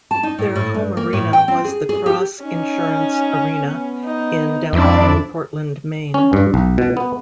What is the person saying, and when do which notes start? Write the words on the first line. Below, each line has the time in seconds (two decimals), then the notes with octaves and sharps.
Their home arena was the Cross Insurance Arena in downtown Portland, Maine.
0.11 A5
0.23 D#4
0.38 A2
0.56 A2
0.74 G2
0.97 A#3
1.13 A2
1.33 G5
1.48 C4
1.65 G#4
1.89 G#4
2.06 G4
2.43 C#4 D#4
3.61 B3
4.05 D#4
4.73 F2 G#2 D4 E4
6.14 C#4
6.33 G2
6.54 B1
6.78 B2
6.97 B3